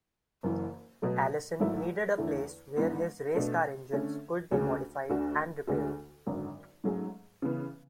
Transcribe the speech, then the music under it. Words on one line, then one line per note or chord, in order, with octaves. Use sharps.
Allison needed a place where his race car engines could be modified and repaired.
F#1 F#2 E3
B2 F#3 A3
G#1 G#2 F#3 A3 E4
E2 D3 A3 E4
G#2 E3 B3 D4
B2 A3 D4
D3 A3 C#4
D2 C#3 G#3 C#4 G#4
D2 D3 A3 D4 F#4
D2 D3 G#3 D4 F#4
G#1 F#2 D3 F#3
G#2 F#3 A3 C#4 G#4
C#3 E3 B3